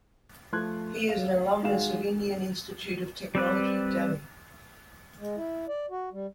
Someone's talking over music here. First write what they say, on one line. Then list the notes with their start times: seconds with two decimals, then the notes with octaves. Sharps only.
He is an alumnus of Indian Institute of Technology, Delhi.
0.52 F3 A3 C6 F#6 G#6
1.09 F5
1.63 D#3 G#3 F#4 G#4 F5 E7
3.35 G3 C4 B4 D5
5.18 G#3
5.37 E4
5.69 D5
5.90 F#4
6.13 G3